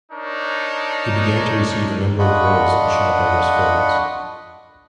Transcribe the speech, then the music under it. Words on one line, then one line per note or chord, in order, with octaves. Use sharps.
He began to receive a number of roles in Shaw Brothers films.
D4 D#4 A#4 C#5
D4 F4 D#5 F#5 B5 C#6